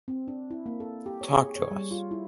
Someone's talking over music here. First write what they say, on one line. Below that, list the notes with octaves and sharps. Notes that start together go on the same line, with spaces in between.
Talk to us.
C4
D4
E4
A#3
A4
G4
C#5
G#4
C#5
G3
F4
E4